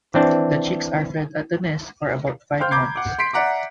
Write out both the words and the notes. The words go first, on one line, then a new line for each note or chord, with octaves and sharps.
The chicks are fed at the nest for about five months.
E3 C4 D4
C5 F5 G5 C6 F6 G6
A#5 B5 D6 G6 G#6 C7
F#5 D6
C6 B6 C7 D7
D5 E5 F#5 A#5 D6